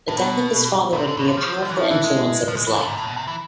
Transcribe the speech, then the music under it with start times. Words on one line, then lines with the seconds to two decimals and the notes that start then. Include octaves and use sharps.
The death of his father would be a powerful influence of his life.
0.08 A2
0.17 B2 B3 D4 A4 D5 A5
0.93 B2
0.97 C3
1.07 D3
1.17 B2
1.27 D3
1.37 F3
1.62 D3
1.70 E3
1.77 F3 E4 A4 E5 A5
1.90 E3
2.04 G#3
2.48 F3
2.57 G#3
2.67 E3
2.77 D3
2.87 G#2
2.97 A2
3.07 B2
3.17 C3
3.27 E3